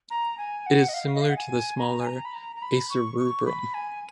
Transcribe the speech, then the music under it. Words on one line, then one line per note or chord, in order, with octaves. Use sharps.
It is similar to the smaller "Acer rubrum".
A#5
G#5
F#5
D#5
F5
D#5
F5
F#5
G#5
A#5
G#5
A#5
B5
A#5
A#5
B5
C#6
C#6
B5
G#5